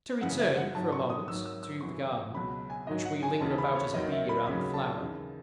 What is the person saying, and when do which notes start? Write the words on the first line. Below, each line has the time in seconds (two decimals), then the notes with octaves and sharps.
To return, for a moment, to the garden, which we linger about as a bee around a flower.
0.21 F#2 C#3 E3 F#5
0.39 E5
0.57 F#5
0.75 G#2 F#3 A5
0.92 C#6
1.10 D#6
1.28 G#2 D#3 F#3 E6
1.46 E6
1.63 E6
1.81 F#2 E3 C#6
2.34 C#2 B2 F#3 B5
2.70 G#5
2.87 G#2 F#3 D#5
3.05 F#5
3.23 G#5
3.40 D#2 C#3 E3 A5
3.58 B5
3.76 C#5
3.94 D#2 D#3 F#3 D#5
4.12 E5
4.29 B5
4.47 D#2 C#3 F#3 B5
4.74 A5
5.00 D#2 C#3 E3